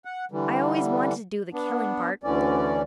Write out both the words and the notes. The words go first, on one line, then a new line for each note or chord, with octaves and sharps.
I always wanted to do the killing part.
F#5
D3 E3 G3
B3 D4
D2 D3 E3 C#4 D5